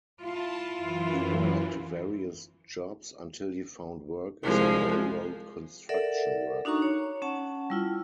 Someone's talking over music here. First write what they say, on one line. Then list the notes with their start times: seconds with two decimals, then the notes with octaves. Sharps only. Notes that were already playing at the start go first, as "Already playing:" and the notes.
He worked various jobs until he found work as a railroad construction worker.
0.22 E4 F4 A5
0.76 F#2 E3
4.43 C2 F3 G#3
5.89 A4 A#4 D5 E5 F#5
6.65 D4 D#4 F#4 A#5 C#6
6.82 C#5
7.22 C#4 F#5 A5
7.70 G3 E4 F4